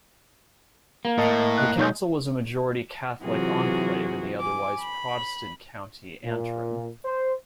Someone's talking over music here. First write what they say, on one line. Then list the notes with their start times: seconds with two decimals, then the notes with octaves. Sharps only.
The council was a majority Catholic enclave in the otherwise Protestant County Antrim.
1.05 A#3
1.18 A2 A#4 D#5 A5
1.58 D#5 F#6
1.78 B1 D#4 C#5 G6
3.23 C3 E3 F#3 F4 F#4 G#4
4.39 G#5 D6
4.81 B5
6.24 A#2
7.04 C5